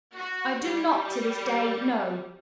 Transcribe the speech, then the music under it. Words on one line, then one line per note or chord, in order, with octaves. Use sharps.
I do not to this day know.
F#4
G3